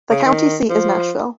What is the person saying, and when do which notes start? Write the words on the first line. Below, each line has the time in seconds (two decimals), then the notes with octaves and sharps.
The county seat is Nashville.
0.11 C#3
0.25 D#3
0.70 F3